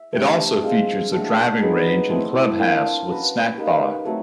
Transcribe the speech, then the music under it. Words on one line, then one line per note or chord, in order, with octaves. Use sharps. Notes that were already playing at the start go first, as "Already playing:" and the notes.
It also features a driving range and clubhouse with snack bar.
Already playing: E5
A3 D4 G4 C5
G#3 C4 F4
A3 D4 F#4 A4
F#3 B3 D#4 G#4
A3 C4 E4
A#3 D4 F4 A4
C#4 F#4 B4
A#3 D#4 G4 B4
F#3 A3 C4